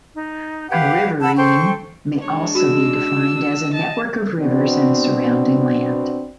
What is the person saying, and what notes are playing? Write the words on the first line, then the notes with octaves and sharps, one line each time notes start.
A riverine may also be defined as a network of rivers and surrounding land.
D#4
G4 B4 F5 F#5
F#5 A5 B5 E6
A4 C5 G5 C#6
G#3 D4 C#5
F#4 E6
D#5 A5
B2 B3 C4 D4